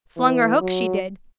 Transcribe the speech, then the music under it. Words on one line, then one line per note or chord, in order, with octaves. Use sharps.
Slung her hook, she did.
E3
F#3